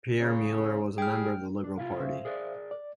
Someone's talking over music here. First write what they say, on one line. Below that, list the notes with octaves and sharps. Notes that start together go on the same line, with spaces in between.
Pierre Muller was a member of the Liberal Party.
C#3
G3 G#4 G5 F6
D4
C2 E4 F4 F5
C#3 C5 E5 F5
G#4 A#4 D5
D5